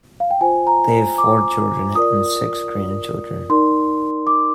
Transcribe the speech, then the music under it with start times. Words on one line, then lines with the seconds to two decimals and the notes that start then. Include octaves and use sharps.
They have four children and six grandchildren.
0.20 F5
0.31 G5
0.41 F4 C5 G#5
0.67 A#5
1.18 D6
1.95 F4 A#4 D5 D#6
3.50 D#4 A#4 D5 C6
4.27 D6